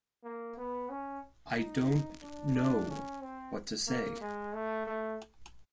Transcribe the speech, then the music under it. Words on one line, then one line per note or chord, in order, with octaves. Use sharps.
I don't know what to say.
A#3
B3
C#4
D#4
D4
D4
C#4
C4
A#3
G#3
A3
A3